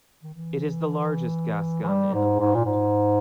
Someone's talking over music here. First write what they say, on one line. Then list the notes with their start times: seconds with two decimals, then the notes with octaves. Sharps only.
It is the largest gas gun in the world.
0.23 D#3
0.34 E3
1.83 E3
1.88 G3
2.14 G#2
2.39 G#2
2.55 A#2
2.65 G#2